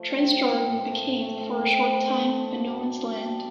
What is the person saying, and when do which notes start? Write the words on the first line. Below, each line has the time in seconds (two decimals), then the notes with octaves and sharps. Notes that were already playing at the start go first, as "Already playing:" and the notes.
Transjordan became, for a short time, a no man's land.
Already playing: F3 A3
0.10 C4
0.29 C4
0.48 C4
0.67 A2
0.85 A3
1.03 A2
1.22 A3
1.41 C4
1.59 C4
1.77 C4
1.97 A3
2.14 A3
2.32 D4
2.52 B2
2.71 D4
2.89 B2
3.07 G3
3.25 D4